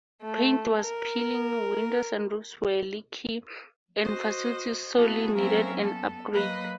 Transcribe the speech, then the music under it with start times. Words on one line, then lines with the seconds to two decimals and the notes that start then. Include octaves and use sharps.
Paint was peeling, windows and roofs were leaky, and facilities sorely needed an upgrade.
0.22 A3
0.81 A#4
4.03 F#4 C5 D#5
4.95 A#3 B3 E4 F#4 G#4 A4
5.35 F#3 A#3 C4 C#4 A#4 E5
5.82 B3 A4
6.33 F#3 A#3 B4 D#5 B5